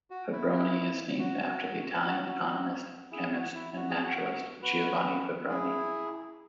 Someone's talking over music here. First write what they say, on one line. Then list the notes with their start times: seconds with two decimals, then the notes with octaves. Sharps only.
Fabbroni is named after the Italian economist, chemist and naturalist Giovanni Fabbroni.
0.10 F#4
0.32 E4
1.19 F#4
1.97 E4
2.05 F#4
2.26 F#4
3.11 E4 G#4
3.34 F#4
3.55 E4
3.77 F#4
3.89 G#4
4.03 F#4
4.62 F#4 B4
5.48 E4 G#4